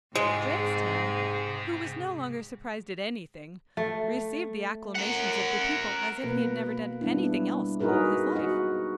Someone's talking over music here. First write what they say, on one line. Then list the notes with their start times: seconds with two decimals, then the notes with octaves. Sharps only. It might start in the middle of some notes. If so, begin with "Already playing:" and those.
Drakestail, who was no longer surprised at anything, received the acclamations of the people as if he had never done anything else all his life.
0.15 G#2 C3 G#3 G#4
3.77 A3
4.96 A#4 F#5
6.24 B2 A#3 B4
7.01 G3 B3 D4 E4
7.80 D#4 F#4 G#4 A#4 B4
8.35 F#4 D#5 F#5